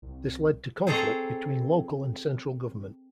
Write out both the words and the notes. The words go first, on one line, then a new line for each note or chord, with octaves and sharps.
This led to conflict between local and central government.
C2
C4 G#4 A4 C#5 A#5